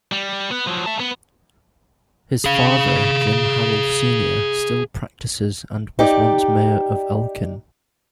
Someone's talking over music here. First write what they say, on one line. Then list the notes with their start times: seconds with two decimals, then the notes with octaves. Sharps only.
His father, Jim Harrell Senior still practices and was once mayor of Elkin.
0.12 G3
0.51 B3 B4
0.67 F3 F#3
0.86 E5 A5
1.00 B3
2.44 G#4 F5
5.99 D#4 G4 D5